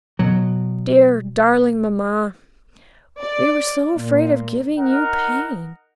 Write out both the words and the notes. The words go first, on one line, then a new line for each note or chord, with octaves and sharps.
'Dear, darling mamma! we were so afraid of giving you pain.
B2 F#3
D5
A#2
D#4 A#4 F#5